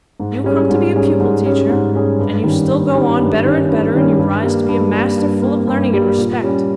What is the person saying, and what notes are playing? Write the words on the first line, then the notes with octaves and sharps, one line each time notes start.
'You come to be a pupil-teacher, and you still go on better and better, and you rise to be a master full of learning and respect.
G#2
G3 C#4 G#4
G#2
G3 C#4 G#4
G#2
G3 C#4 G#4
G#2
G3 C#4 G#4
G2
D#3 G3 C#4
G2
D#3 G3 C#4
G2
D#3 G3 C#4
G2
D#3 G3 C#4
G2
G3 A#3
G2
G3
A#3
G2
G3 A#3
G2
G3 A#3
A#2
G3 C#4